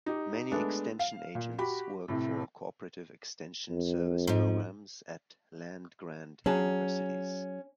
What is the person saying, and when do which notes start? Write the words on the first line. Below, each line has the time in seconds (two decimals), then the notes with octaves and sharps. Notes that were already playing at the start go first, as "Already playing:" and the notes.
Many extension agents work for cooperative extension service programs at land-grant universities.
0.06 D#4 G4
0.52 G#3 A3 B3 D4
0.99 F5
1.35 A#2
1.58 F#4 G4 B5
2.08 A2 C3
3.71 F2
4.27 G#2 F3
6.46 F#3 C#4 G#4 A5